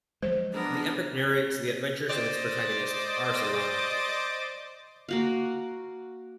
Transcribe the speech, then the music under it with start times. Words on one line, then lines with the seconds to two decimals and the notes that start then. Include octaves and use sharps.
The epic narrates the adventures of its protagonist, Arsalan.
0.22 F3 F#3 G#3 C5
0.53 B3 D4 A#4
2.10 C5 D5 D#5
5.09 A#3 F#4 F5